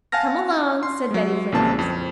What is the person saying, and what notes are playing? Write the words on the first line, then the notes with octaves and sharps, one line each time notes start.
"Come along," said Betty Flanders.
F5 F#5 G#5 A5 F6 A#6
C6
F#3 G#3
A#1 C#3 E3 A#3 C4 A5
F2